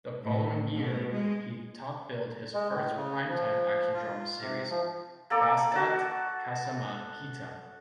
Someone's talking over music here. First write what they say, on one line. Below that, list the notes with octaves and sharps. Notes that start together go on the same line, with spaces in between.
The following year, he topbilled his first primetime action-drama series, Basta't Kasama Kita.
A2
B2
G#3
G#3
A2
C#3
F3
F4
C3
F3
A#3 A4 D5
F#4 A5